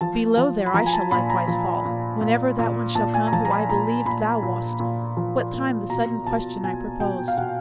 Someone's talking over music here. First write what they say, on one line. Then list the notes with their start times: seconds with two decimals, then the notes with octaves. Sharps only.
Below there I shall likewise fall, whenever That one shall come who I believed thou wast, What time the sudden question I proposed.
0.01 F3 A5
0.37 F3
0.66 B5
0.74 F3 A#5
0.86 G#5
0.93 A5
1.11 A#2 B5
1.30 A#5
1.48 F3
1.85 A#2
2.21 A#2
2.59 A#2
2.95 A#2 A5
3.14 G#5
3.27 A#5
3.32 F3 A5
3.45 A#5
3.51 B5
3.69 A#2 A#5
4.06 A#2 B5
4.43 A#2
4.80 A#2
5.17 F3
5.53 A#2
5.89 B2 A#5
6.26 B2 A5
6.63 B2 G#5
7.00 B2 G5
7.28 F5
7.37 B2 F#5